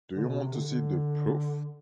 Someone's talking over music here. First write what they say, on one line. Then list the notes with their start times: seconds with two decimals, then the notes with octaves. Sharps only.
Do you want to see the proof?
0.16 D3
0.28 B2
0.41 C3
0.53 D3
0.66 D3